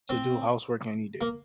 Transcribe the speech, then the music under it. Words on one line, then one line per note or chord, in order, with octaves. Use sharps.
to do housework any day. S
C4
A#3